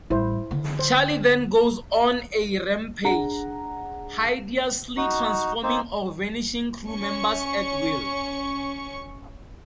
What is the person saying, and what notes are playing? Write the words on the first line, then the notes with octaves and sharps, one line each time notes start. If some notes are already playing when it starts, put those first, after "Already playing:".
Charlie then goes on a rampage, hideously transforming or vanishing crew members at will.
A1 G3 E4 C5
D3
C5
D4 G#4 F#5 A#5
D#4 F#4
A#3 C4 D#4 C5
C#4 C#6